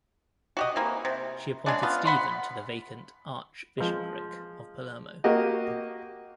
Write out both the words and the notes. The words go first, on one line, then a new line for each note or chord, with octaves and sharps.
She appointed Stephen to the vacant archbishopric of Palermo.
F#4 G4 D#5
E3 A#3 C4
C3
C#3 G#3 D4
B3 F4
F#5 B5 C6
F3 G#3
A#3 F#4 G4 D#5